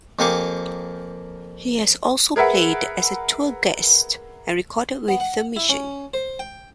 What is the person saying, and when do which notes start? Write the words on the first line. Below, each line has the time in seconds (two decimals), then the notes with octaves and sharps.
He has also played as a tour guest and recorded with The Mission.
0.19 F2 A#3 G4 G#4 C#6 D6
2.36 G#4 A#4 B4 E5 F#5
5.08 B3
5.20 F#5
5.56 E4
5.69 C#4
6.14 C5
6.39 G5